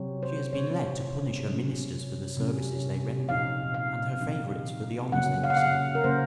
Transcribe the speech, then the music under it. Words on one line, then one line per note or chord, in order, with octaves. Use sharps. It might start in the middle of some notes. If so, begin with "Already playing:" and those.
She has been led to punish her ministers for the services they render and her favourites for the honours they receive.
Already playing: C3 F#3 C4
C5
C3 F#3 C4 C#5
C3 F#3 C#4
C3 F#3 C#4
A#2 F3 C4 D#4 F5
F5
A#2 F3 C4 D#4
C#3 F#3 A#3 C#4 F#5
F5
F#5
F5
A#4
C#3 F#3 A#3 C#4 C5